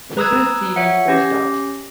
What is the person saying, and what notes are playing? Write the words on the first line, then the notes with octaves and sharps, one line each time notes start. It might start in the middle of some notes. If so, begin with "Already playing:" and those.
Sybil Seely co-stars.
B4 A#5 D#6 E6 F#6 G#6
C#5 E5 F#5
C#4 G4 A#6